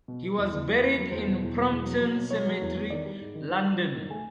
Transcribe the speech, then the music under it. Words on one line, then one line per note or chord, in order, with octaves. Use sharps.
He was buried in Brompton Cemetery, London.
B2
B3
E2
E2
E2
A#3 B4
F#3
E2 C5
B2
E2
B2
E2
F#3
F#3
B2
F#3 C#5
F#3
E2
E2
D#3 D5
G3
G#2
D#3
D#3
G3
G3
D#3
A3 G#5